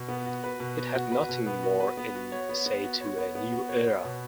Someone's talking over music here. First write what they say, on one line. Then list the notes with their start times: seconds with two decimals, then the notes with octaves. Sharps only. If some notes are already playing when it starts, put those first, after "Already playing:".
It had nothing more in say to a new era.
Already playing: B2
0.09 B3
0.26 F#4
0.44 B4
0.60 B2
0.77 B3
0.95 F#4
1.12 B4
1.29 B2
1.46 B3
1.63 F#4
1.80 B4
1.97 B3
2.15 F#4
2.32 C#5
2.49 B3
2.66 B3
2.84 F#4
3.01 C#5
3.18 B3
3.35 B3
3.52 F#4
3.69 C#5
3.86 B3
4.04 B2